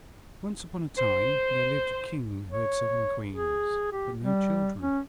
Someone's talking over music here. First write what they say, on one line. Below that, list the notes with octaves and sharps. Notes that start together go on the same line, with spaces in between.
Once upon a time there lived a King who had seven Queens, but no children.
C5
C#5
G#4
G4
G3
C#4